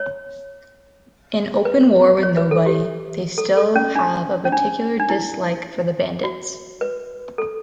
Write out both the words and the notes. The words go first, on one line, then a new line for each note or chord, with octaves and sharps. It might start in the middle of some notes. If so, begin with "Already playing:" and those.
In open war with nobody, they still have a particular dislike for the Bandits.
Already playing: C#5
B4
C#5
B4
A4
G4
A4
A4
C#4
D4
C#4
D4
D4
E4
F#4
B4
A4